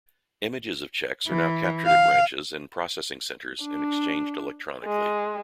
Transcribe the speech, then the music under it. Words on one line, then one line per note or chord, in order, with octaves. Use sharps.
Images of cheques are now captured at branches and processing centres and exchanged electronically.
E3
F5
D4
G#3